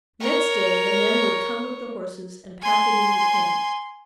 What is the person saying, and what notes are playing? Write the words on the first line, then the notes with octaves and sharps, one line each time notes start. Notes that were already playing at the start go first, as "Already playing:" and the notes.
Next day the men would come with the horses and pack it in to camp.
A#4 C#5
G#5 C6